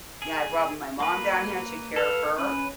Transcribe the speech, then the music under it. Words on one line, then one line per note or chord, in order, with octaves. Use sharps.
Yeah, I brought my mom down here, took care of her
G#4
A#3 B4
A4 B4 F5
C#4 B4